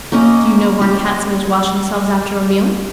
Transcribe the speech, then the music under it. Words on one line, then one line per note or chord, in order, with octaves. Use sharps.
Do you know why Cats always wash themselves after a meal?
A#3 C#4 D#5
G4